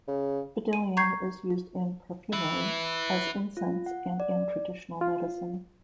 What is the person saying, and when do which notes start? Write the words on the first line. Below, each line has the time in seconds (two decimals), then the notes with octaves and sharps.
Bdellium is used in perfumery, as incense and in traditional medicine.
0.08 C#3
0.73 D#7
0.97 A#5 C#6 G6 G#6 C7
2.33 E4 B4
3.57 F4
3.86 F#5
4.20 D5
5.01 F4